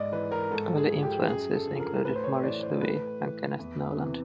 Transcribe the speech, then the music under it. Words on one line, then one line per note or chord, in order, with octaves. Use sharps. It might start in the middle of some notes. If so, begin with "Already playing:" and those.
Early influences included Morris Louis and Kenneth Noland.
Already playing: G#2 D5 D#5
E3 B4
A#4
G#2 A4
G#4
F3
G4
F#2 G#4
A4
D3 F3
A#4
A2 B4
C5
C#5
E3 D5
C5
A2 B4
E3
E2
C3 E3